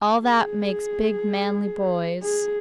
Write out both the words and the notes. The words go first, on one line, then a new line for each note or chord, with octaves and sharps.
All that makes big, manly boys.
G#4
G#4